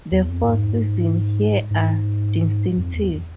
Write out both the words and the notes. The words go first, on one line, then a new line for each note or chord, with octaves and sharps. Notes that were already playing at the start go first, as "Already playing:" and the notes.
The four seasons here are distinctive.
E2
F2
A2
G#2
G#2
F2
E2